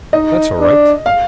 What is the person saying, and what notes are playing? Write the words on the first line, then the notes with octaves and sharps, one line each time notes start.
That's all right.
D#4 D#5
D4
F5